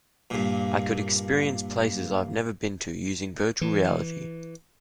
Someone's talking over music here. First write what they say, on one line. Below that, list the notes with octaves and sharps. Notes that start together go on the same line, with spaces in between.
I could experience places I've never been to using virtual reality.
G2 A#2
E3